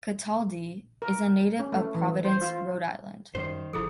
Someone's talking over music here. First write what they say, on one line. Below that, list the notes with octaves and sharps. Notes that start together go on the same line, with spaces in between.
Cataldi is a native of Providence, Rhode Island.
A#4
C#4
A3
E3
C5
F4
F#2 D#3 G3 C5
G1 C#3 F3 E4 G#4 A4